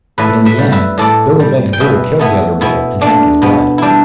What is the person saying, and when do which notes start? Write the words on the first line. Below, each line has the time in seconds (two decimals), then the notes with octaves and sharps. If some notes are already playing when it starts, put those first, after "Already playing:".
But in the end, Billy Beg's bull killed the other bull, and drank his blood.
0.18 A2 B4 E5
0.45 B4 E5
0.59 G3
0.72 B4 E5
0.98 A2 A4 D5
1.40 G3
1.73 G5
1.80 B2 B4 E5
2.19 A3 B3 E4
2.61 B2 B3 E4
3.01 A3 D4
3.42 B2 B3
3.78 G3 D4 E4